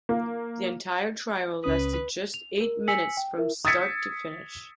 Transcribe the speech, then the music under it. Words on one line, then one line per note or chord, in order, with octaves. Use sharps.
The entire trial lasted just eight minutes from start to finish.
A#3
C#2 C#4 B4 D#6
F7
A#4
G#5 E6 B6 C#7 F#7
G5
E4 A#4 E5
D#6 E6 G#6 A6 B6 C#7